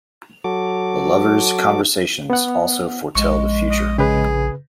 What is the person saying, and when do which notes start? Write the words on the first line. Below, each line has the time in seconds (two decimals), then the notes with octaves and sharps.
The lovers' conversations also foretell the future.
0.44 F#3 F#4 A4 D6
2.30 B3 F#5
3.15 A#1 G#3 C#6
3.70 D#5
3.98 C#3 G#4 B4